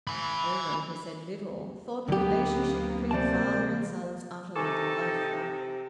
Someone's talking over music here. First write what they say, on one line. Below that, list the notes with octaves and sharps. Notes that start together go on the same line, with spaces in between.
Edwin, who said little, thought the relationship between father and sons utterly delightful.
G#5 B5
D2 D3 F#3 A#3 B3 D4 G4
C3 E3 C5 D5 A5
C3 D#4 A4 G#5 C#6 D6